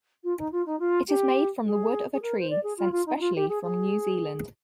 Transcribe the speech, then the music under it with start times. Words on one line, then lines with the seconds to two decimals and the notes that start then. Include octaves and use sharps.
It is made from the wood of a tree sent specially from New Zealand.
0.24 F4
0.38 D#4
0.52 F4
0.66 D#4
0.79 F4
1.08 G4
1.65 G#4
2.13 G#4
2.22 A#4
2.39 C5
2.50 D5
2.63 G#4
2.78 F4
2.92 F4
3.06 D#4
3.16 D#4
3.20 F4
3.35 G4
3.49 G#4
3.63 G#4